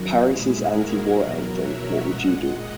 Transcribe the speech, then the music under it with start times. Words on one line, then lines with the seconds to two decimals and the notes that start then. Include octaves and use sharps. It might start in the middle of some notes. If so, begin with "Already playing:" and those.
Paris' anti-war anthem What Would You Do?
Already playing: F#2 D#3 F#3 F#4
0.29 A#2 G#3 E4 G#4
0.75 F#4 A#4
1.20 E2 B2 F#3
1.63 C#5 E5
2.07 A#2 G#3 D#5 F#5